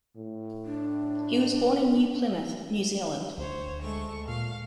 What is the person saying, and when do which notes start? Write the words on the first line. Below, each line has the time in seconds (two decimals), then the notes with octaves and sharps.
He was born in New Plymouth, New Zealand.
0.17 A2
0.65 D4
3.38 D2 C5 C#5
3.81 G#3 A3 C#6
4.28 A#2 F5